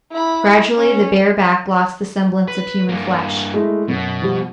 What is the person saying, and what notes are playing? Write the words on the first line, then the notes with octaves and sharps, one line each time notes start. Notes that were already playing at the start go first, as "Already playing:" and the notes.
Gradually the bare back lost the semblance of human flesh.
E4 B5
C#4
B4
G2 A#3
G#3 A3 E4
F#2 B2
F3 G3